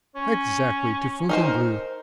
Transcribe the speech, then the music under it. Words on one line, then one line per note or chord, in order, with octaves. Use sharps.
"Exactly; to Fontainebleau."
C#4
D#4 A#4 C5